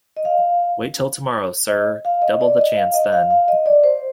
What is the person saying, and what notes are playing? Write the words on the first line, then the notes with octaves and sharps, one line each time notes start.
Wait till tomorrow, sir; double the chance then.
D#5
F5
D#5
F5
D#5
D5
D#5
F5
D#5
F5
F5
D#5
D5
C5